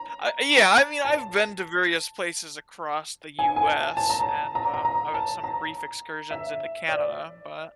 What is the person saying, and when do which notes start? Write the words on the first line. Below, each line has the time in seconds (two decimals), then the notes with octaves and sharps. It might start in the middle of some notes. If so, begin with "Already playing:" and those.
I uh, yeah, I mean, I've been to various places across the US and, um, I had some brief excursions into Canada, but
Already playing: A#5
1.05 A5
3.39 G#5
3.56 G#5
3.68 A5
3.97 A5
4.10 A#5
4.21 A5
4.55 A#5
4.74 A#5
4.85 A#5
5.14 A5
5.44 A#5
6.31 E5
6.89 D5